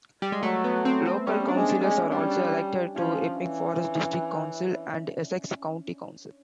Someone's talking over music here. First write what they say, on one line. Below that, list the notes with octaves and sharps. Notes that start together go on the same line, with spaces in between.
Local councillors are also elected to Epping Forest District Council and Essex County Council.
G3
G#3
F#3 A3
B3
C4
C4
G3 C#4
D4
G#3
D4
G#3
C#4
G3 D4
C#4
D4
F3 C#4
E3